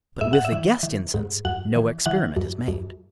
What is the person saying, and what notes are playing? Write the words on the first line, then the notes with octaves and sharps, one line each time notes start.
But with the "guest-incense" no experiment is made.
G#2 E5
F#5
E5
E3
E3
G#2
F#2 F#5
E3
E3 F#5
F#2
F#2